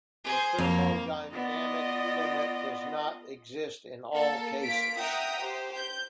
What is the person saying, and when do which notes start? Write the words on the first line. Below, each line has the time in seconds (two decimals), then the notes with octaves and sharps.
A thermodynamic limit does not exist in all cases.
0.24 G#4 C5
0.58 F2 A#3
1.34 B3 F4 D5 D#5
4.14 A#3 A4
4.62 A#3 F4 B6 D7
4.99 E5 F#5 G5 A#5 D#6
5.41 G4 C5
5.75 G6